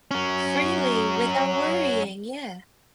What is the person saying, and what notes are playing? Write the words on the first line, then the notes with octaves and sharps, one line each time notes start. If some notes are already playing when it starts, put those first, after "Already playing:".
freely without worrying, yeah.
F#3 C#4